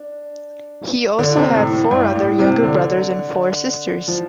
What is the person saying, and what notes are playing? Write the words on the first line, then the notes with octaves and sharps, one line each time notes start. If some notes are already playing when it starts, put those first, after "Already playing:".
He also had four other younger brothers and four sisters.
Already playing: D4
D3
C3
A2
A2
G2
A2
C3
D3
F3